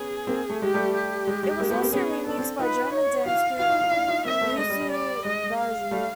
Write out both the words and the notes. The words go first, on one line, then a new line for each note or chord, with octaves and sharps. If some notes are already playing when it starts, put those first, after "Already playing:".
It was also remixed by German dance group Boozoo Bajou.
Already playing: B3 C#4 G#4
A#3 C4
A3
G#3 G4
G3 A3
G4
G#3
G#3
G#3 A#3
A3 B3
A#3 C4
B3 C#4 G#4
B3 C#4 A4
C4 D4
D#4 F4 B4
C#5
E4 F#4 F5
E4 F#4 F5
D#4 F4
D#4 F4
D4 E4
D#4 F4
A#3 C4 E5
A3 B3
G#3 D#5
G3
G3
D5
G#3 D#5
F5
G3 A3